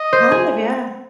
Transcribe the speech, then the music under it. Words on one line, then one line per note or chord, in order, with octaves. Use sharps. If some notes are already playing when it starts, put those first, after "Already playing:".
Kind of, yeah.
Already playing: D#5
C5
G#4